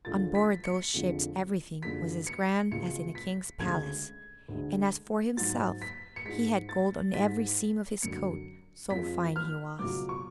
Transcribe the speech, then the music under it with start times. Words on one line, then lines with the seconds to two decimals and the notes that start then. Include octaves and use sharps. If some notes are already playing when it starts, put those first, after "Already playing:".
On board those ships everything was as grand as in a King's palace; and as for himself, he had gold on every seam of his coat, so fine he was.
0.05 D2 D3 F3 G#3 A6
0.35 B6
0.64 C#7
0.94 F2 D3 F3 G#3
1.83 F#2 D3 F3 G#3 B6
2.27 C#7
2.71 C#2 B2 G#3 C#7
3.15 B6
3.60 D2 C#3 G#3 G#6
4.48 D2 D3 G#3
5.37 G#2 F#3 A6
5.82 B6
6.16 C#7
6.25 G#2 G#3 B6
6.69 A6
7.14 G#2 G#3 B6
8.02 F#2 D3 F#3 C#7
8.90 F2 F3 G#3 B6
9.36 F6
9.79 C#2 B2 F#3 D6
10.09 C#6